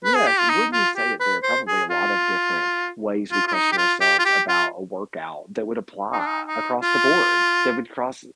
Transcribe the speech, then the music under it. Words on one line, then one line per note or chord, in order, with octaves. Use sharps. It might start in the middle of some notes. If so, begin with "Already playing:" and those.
Yes. Wouldn't you say that there are probably a lot of different ways we question ourselves about a workout that would apply across the board, that would cross
B4
G#4
G4
F4
D#4
F4
G4
B4
C5
G#4
F4
F4
F4
D#4
G4
F4
G4
F4
G4
F4
D#4
D4
D#4
D#4
F4